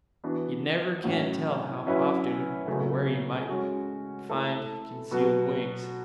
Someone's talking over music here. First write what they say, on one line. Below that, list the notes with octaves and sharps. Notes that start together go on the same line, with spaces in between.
You never can tell how often or where you may find concealed wings.
E3 B3 D4 F#4
A2 F#3 C#4
F#3 C#4 E4 B4
C#3 F#3 A3
G#3 C#4 F#4
A3 E4 A4
B2 F#3 B3 F#4